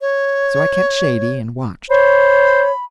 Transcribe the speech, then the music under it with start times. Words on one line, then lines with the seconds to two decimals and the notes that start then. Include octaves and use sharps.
So I kept shady, and watched.
0.01 C#5
1.90 C5 C#5 B5